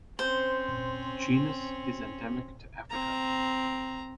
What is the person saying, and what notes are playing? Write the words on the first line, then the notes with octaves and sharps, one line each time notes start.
The genus is endemic to Africa.
C4 C#4 C5
C4 A#5